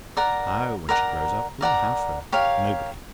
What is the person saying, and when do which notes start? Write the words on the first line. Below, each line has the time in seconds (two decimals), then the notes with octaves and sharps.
Now, when she grows up, who'll have her? Nobody.
0.17 A#4 D5 F#5 A#5
0.89 A#4 D5 F#5 A#5
1.61 A#4 D5 F#5 A#5
2.32 G4 A#4 C#5 F5